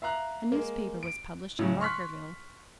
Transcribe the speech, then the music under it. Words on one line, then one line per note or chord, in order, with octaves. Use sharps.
A newspaper was published in Barkerville.
E5 F5 A#5 F#6
G#3 A#3
D7
A2 C#3 F#3
C6 C#6 F6 F#6 B6